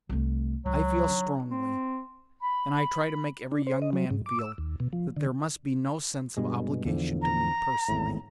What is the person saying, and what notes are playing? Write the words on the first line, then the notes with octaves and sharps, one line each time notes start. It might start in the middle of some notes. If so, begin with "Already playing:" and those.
I feel strongly, and I try to make every young man feel, that there must be no sense of obligation to me personally.
C2 A3
C#2 F#3
D4 D#4
C4
B5
D4
C5
D#5
F#3
G#2
D6
E6
D#2
B2
F3
D3
G2 B2 G#3
E2 D3 F3
A#5
G#1 E2 A2